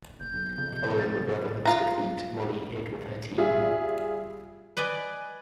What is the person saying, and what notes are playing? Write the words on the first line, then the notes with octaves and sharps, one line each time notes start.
Following the Brotherhood's defeat, Molly hid with her team.
F#1 G6
B1
F2 C#3
C3
A6
F4 A#5
G3 F4 G#4 E5
B4 D5 D#5 G#5